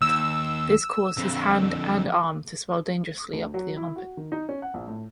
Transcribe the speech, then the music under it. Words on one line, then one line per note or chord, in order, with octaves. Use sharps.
This caused his hand and arm to swell dangerously up to the armpit.
D#2 E6
F2 D3
D2
F#3
E4
F#4
D#3
D#4
C#4
F#5
A#1
A2